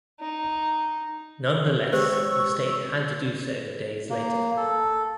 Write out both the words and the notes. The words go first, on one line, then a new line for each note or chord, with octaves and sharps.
Nonetheless the state had to do so days later.
D#4
G#3 G4 C5 C#5 C#6 E6
A#3
A4